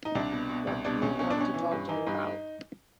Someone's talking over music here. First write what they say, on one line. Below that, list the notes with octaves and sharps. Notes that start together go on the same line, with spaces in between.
What do you want to talk to me about?
D#4
C2 D4
B2
B2
C2
B2 D4
C2 C#4
B2 C#4
D4
B2 C#4
E3
G2
E3 D#4
G2 D#4